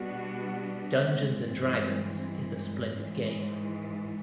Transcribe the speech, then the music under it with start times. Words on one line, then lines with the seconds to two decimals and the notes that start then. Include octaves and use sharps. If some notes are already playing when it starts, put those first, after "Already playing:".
Dungeons and Dragons is a splendid game.
Already playing: B2 G3 B3 D4 F#4
1.15 G2 E3 G#3 C4
2.91 G#2 E3 G#3